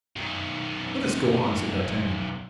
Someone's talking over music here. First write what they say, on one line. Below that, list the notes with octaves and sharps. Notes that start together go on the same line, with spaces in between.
"Let us go on," said D'Artagnan.
B1 D#3